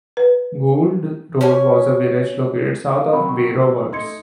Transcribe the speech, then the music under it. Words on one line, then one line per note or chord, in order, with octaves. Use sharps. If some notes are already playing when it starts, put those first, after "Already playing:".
Goulds Road was a village located south of Bay Roberts.
B4
C#4 G#5
F5
C3 D#3 F#3 B5
C#6
E6
A3 D#4 C6 G#6 C#7